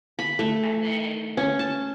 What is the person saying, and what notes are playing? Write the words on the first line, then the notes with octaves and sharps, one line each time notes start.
And then,
B5
A3
C#4
A5